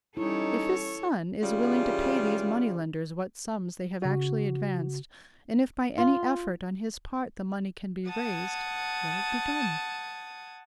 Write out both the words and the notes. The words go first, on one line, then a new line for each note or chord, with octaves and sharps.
If his son is willing to pay these money-lenders what sums they have actually advanced, and if by any effort on his part the money can be raised, let it be done.
G3 C#4 D#4 E4 A4 C#5
C#3 E3 G3 F4
C#3 F#4
F4
F#5 A5 D#6 G#6